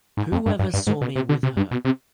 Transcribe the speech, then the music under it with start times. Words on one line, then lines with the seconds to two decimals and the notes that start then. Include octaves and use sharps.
Who ever saw me with her?
0.17 G#2
0.32 F2
0.46 G2
0.59 G2
0.74 G2
0.87 G#2
1.01 B2
1.16 C3
1.29 D3
1.43 C3
1.57 G2
1.71 B2
1.85 C3